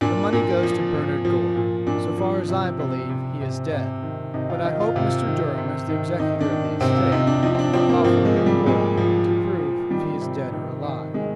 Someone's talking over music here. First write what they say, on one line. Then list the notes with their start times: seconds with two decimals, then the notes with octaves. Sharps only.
The money goes to Bernard Gore. So far as I believe he is dead, but I hope Mr. Durham, as the executor of the estate, will offer a reward to prove if he is dead or alive.
0.01 A#2 D4
0.33 A#2
0.63 F3
0.94 F3
1.25 F3
1.56 A#2
1.87 A#2 D4
2.18 F3
2.49 C3
2.79 C3
3.10 C3
3.41 C3
3.72 C3
4.02 D#3
4.34 C3 D#4
4.50 F4
4.65 D#3 D#4
4.80 F4
4.96 C3 F4
5.27 D#3
5.58 C3
5.89 D#3
6.19 D#3 D#4
6.41 D4
6.50 D#3
6.81 C3 C4
6.97 F4
7.12 C3 D#4
7.27 D4
7.43 F3 D#4
7.55 C4
7.59 D4
7.73 F3 C4
7.89 A#3
8.04 F3 C4
8.25 G#3
8.36 F3
8.46 G3
8.66 A#2 G#3
8.97 F3
9.28 F3
9.60 F3
9.91 D#3 G3
10.21 C3
10.52 D#3
10.82 D#3
11.14 D#3 G#3